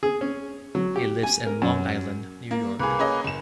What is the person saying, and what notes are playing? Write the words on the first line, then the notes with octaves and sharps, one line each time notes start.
He lives in Long Island, New York.
G#4
C#4
F#3
G4
G#5
A#4
F#2
A#3
C2 A#3 G#4 B4
C#4 G#4 D#5
F#1 E7